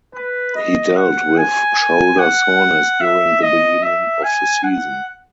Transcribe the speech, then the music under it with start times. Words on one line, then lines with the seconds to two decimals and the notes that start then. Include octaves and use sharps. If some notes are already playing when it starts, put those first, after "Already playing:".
He dealt with shoulder soreness during the beginning of the season.
0.15 B4
0.55 D#5
0.96 F#5
1.37 G#5
2.19 F#5
3.01 E5
3.42 D#5
3.82 E5
4.23 G#5
4.64 F#5